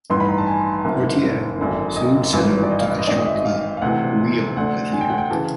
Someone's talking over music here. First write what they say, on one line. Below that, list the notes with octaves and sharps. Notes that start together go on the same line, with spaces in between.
Portier soon set out to construct a "real" cathedral.
A1 G2 D#3 C6
B5
A#5
A5
G#5
F#1 F#2 D#3
G#1 F#2 D3
D#5
G#1 G2 E3
D5
D#5
F5
D#5
G#1 G#2 D#3 D5
D#5
E5
D#5
F5
F5
D2 C3 E3 F#5
D2 D3 F#5
G#5
G5
F#5
G5
C#3 E3 A5